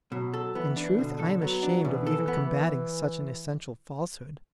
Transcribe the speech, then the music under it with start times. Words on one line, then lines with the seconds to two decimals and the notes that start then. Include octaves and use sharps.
In truth I am ashamed of even combating such an essential falsehood.
0.12 B2 F#3
0.34 A4
0.55 E3 B3
0.76 D4
0.98 B2 D3
1.19 A4
1.41 F#3 B3
1.63 D4
1.84 B2 E3
2.07 A4
2.28 B3